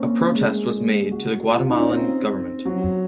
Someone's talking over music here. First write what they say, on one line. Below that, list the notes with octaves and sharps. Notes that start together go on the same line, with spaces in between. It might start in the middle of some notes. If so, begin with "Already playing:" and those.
A protest was made to the Guatemalan Government.
Already playing: A#3 C4 C#4
G#3
F#4
F4
F4
D#4
C#4
C4
F#3